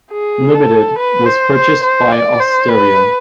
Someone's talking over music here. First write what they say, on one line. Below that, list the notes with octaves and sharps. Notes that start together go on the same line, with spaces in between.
Limited, was purchased by Austereo.
G#4
A4
B4
C5
C5
C5
D5
C5
B4